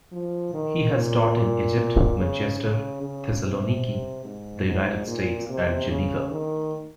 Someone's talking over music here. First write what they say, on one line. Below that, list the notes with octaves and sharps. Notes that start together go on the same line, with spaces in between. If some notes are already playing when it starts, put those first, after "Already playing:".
He has taught in Egypt, Manchester, Thessaloniki, the United States, and Geneva.
F3
D#3
A#2
C#3
C#3
C#3
C3
G#2
G#2
A#2
C3
C#3
D#3